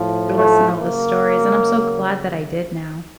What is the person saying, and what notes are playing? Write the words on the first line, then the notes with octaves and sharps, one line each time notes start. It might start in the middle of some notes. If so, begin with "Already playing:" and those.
listen to all the stories, and I'm so glad that I did now.
Already playing: A2 F3
A3
C#3 F#3 A#3